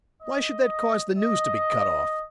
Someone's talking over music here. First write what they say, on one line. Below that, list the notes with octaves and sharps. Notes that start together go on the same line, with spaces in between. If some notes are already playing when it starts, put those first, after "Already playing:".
Why should that cause the news to be cut off?
D#5
D#5